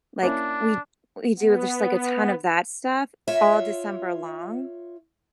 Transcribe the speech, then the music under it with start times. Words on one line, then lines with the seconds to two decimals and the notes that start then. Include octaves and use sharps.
like, we we do just, like, a ton of that stuff all December long.
0.23 A#3 C#4 D4 E4
1.39 B3
3.28 F4 C#5 E5